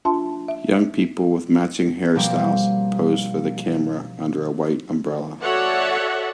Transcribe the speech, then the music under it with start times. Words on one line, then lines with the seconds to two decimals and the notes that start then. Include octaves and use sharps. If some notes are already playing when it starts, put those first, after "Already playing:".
Young people with matching hairstyles pose for the camera under a white umbrella.
0.05 D4 F4 E5 A5 C6
0.48 E5
2.15 B2 F3 G3 A#3 C4
5.43 F#4 A4 C#5 D5 E5 F#5